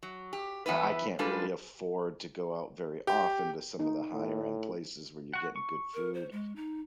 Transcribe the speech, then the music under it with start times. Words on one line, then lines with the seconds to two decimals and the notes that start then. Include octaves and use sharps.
I I can't really afford to go out very often to some of the higher end places where you're getting good food,
0.03 F#3
0.33 G4
0.66 E3 B3 E4 B4
1.19 G3 G#3 D4 F4 A4 B4
3.07 G4
3.80 D#4
4.14 A2
5.33 F#4 F#5
5.56 C#6
5.94 A#4
6.14 C5
6.32 G#3
6.56 D#4